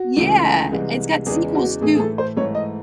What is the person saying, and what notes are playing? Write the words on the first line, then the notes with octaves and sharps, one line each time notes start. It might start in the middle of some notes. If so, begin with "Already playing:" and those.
Yeah, it's got sequels too.
Already playing: F#4
C#2 C#3 E3 A3
C2 C3 E3 G#3
E2 C#3 E3 G#3 G#4
F#4
A2 E3 A3 G#4
G#4
A4
C5
G#2 E3 A3 C#5
D#5